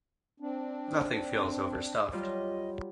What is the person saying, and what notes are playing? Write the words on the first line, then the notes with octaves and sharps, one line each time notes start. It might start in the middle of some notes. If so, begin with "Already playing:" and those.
Nothing feels overstuffed.
C4 D4
F#3 G3 F4 D#5